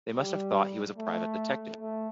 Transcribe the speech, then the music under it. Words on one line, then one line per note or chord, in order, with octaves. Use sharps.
They must have thought he was a private detective.
G3
A3
A3